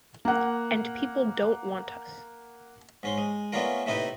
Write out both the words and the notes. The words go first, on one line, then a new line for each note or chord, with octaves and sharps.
And people don't want us.
A#3 F#5
G#2 C#4 C6
G#3
A3 B3 C#4 D4 F4 A#4
A2 C3 A3 D#4 E4 B4